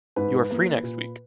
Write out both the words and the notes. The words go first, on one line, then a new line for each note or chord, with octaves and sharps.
You are free next week.
G#2 B4
E3 A#3
A#2